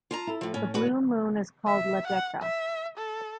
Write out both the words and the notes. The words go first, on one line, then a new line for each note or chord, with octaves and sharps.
The Blue Moon is called Ladeca.
F4 A5 A#5
E4 A4
A2 F3
A2 C#4
D2 F#4 B4
E5
F#5
E5
A4